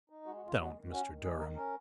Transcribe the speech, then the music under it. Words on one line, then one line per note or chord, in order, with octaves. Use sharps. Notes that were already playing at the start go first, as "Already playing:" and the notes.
"Don't, Mr. Durham!"
D#4
G#3 F#4
F#4
F2 F4
G#3 F#4
D#3
C#4 F#4
D#3
G#3 G#4
D#3 A#4
C#4 A#4